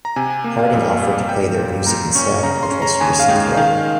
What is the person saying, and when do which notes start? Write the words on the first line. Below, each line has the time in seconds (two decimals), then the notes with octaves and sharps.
Harding offered to play their music instead which was received well.
0.05 A#5
0.16 C3 G#5
0.30 G#5
0.44 A#3
0.59 F5
0.73 F2
1.01 G3
1.29 G3 G5
1.58 A#2
1.86 A#2 A#5
2.15 C#4 C#6
2.43 C#3 A#5
2.63 C6
2.72 C#4
2.82 A#5
3.00 D#2 G#5
3.20 F5
3.29 G#3 G5
3.57 D#3 F5